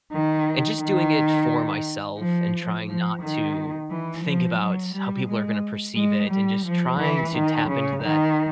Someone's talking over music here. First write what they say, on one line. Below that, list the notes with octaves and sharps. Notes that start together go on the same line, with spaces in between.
and just doing it for myself and trying not to think about how people are gonna perceive it and just trying to tap into that
D#3
D#3
F3
F3
D#3
E3
F3
F#3
G3
G#3
G#3
G3
F3
E3
D#3
C#3
D#3